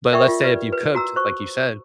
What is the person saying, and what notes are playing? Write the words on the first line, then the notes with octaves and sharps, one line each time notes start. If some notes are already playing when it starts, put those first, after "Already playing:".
but let's say if you cooked like you said,
A#4 D5 E5 G5 C#6
F4
G4 B4 D5
B4
F#4 A#5 E6
C5 C#6